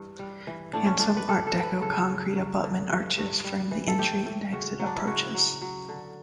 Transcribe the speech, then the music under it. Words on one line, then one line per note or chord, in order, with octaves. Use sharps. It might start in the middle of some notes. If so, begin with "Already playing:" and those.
Handsome art-deco concrete abutment arches frame the entry and exit approaches.
Already playing: G2 E3
G3
E3
A2 D4
C#4
A2 D4
B4
G3 A4
A4
E3
B4
C#3 A4
C#3
F#3
D3
G2
G2
G3
E3
A4
A2 G4
A2
C#3 F#4
F#3
D4
E4
C#3 F#4
F#3
F#3
D3